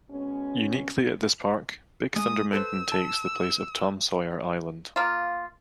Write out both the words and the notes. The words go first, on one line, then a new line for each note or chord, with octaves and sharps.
Uniquely at this park, Big Thunder Mountain takes the place of Tom Sawyer Island.
B2 G#3 C#4
G#3 D#6
A4 B4 C5 E6
A5
A#3 F4